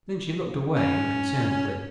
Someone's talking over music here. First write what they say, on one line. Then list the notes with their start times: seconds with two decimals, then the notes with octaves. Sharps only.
Then she looked away unconcernedly.
0.76 C#4